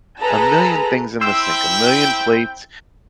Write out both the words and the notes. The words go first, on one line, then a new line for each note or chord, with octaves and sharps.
a million things in the sink a million plates,
G#4 A4 B4 A#5
C4 E4 G5 C6 E6